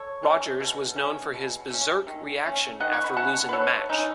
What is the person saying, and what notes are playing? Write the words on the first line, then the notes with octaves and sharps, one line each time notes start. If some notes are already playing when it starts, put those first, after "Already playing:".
Rogers was known for his berserk reaction after losing a match.
Already playing: A4 C#5
A3 C#4
B2
A3 C#4
B2
A3 C#4
D#3
A3 C#4
D#3 D#5 F#5
C#6
B5
A3 C#4 F#5 A5
B4
B2 A4 C#5
A3 C#4 D#4